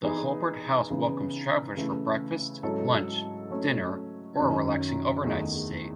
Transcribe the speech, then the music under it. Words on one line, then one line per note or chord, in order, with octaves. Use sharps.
The Hulbert House welcomes travelers for breakfast, lunch, dinner or a relaxing overnight stay.
E3 B3 D#4 G#4 B4
C#3 E3 B3 D#4
C#3 E3 A3 E4
G#2 F#3 C#4 E4 A4
F#3 A3 C#4
F#2 D#3 F#3 C#4
E2 D#3 A3 E4 G#4